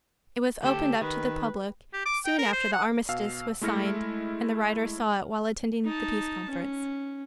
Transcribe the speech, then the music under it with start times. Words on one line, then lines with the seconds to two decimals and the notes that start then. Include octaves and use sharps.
It was opened up to the public soon after the armistice was signed and the writer saw it while attending the Peace Conference.
0.63 D2 G4 A4
1.01 D#3 B4
1.93 G4
2.06 D6
2.25 G5
2.39 A#4
2.53 C5
2.73 F#5
3.09 B2 F5 E6
3.61 G#3 A3 E4 F6 A#6 C#7
5.85 D#4 A5
6.50 C#4